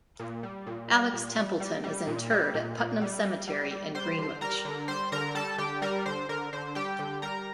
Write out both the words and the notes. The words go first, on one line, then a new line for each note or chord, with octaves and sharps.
Alex Templeton is interred at Putnam Cemetery in Greenwich.
A#2
G3
A#2
G3
A#2
G3
G3
G3
A#2
G3
A#2
A#2
G3
G3
G3
G3
G3 C5 C6
D3
G3 A#4 A#5
D3
G3 C5 C6
D3 A#4 A#5
G3 A4 A5
D3 G4 G5
G3 A#4
D3 C5
D3 A#4
D3 C5
G3 G4 G5
D3
G3 A#4 A#5